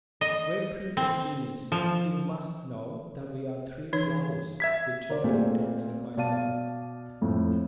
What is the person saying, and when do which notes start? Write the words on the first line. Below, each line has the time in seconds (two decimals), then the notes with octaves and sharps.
Great prince of genies, you must know that we are three brothers, the two black dogs and myself.
0.21 D#5
0.97 C4
1.72 F3
3.93 E3 D#4 C#5
4.60 E5 G#6 B6
5.10 A#4 C5 D5
5.24 A#2 A3 C4 G4 G#4 A#4
6.17 B2 D5 F5 A5 D#7
7.21 F2 A2